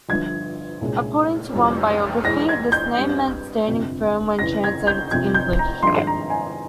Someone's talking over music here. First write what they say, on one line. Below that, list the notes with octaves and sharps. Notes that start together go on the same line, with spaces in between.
According to one biography, this name meant "standing firm" when translated to English.
G1 G2 F3 G#6
C2 A#2 G#3 C#4
F1 F2 E3 G3 C#4
E2 E3 G#3 A#6
G#6
G6
G2 G3 C4
G1 F2 C3
F1 E2 C#3 E3 A#6
G#6
G6
F1 F2 C3 F3 G#6
G6
A#5
G#1 G2 F3 G#3 C6
A#5
G#5